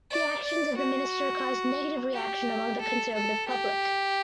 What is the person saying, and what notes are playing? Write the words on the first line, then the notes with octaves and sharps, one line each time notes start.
The actions of the minister caused negative reaction among the conservative public.
D5
D5
F#4
G4
A4
A4
G4